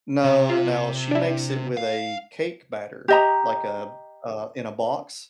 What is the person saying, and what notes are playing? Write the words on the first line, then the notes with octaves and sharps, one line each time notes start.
No, now, she makes it with a cake batter, like, a uh, in a box.
C3
F4
D4 E4
F5
G4 D#5 A#5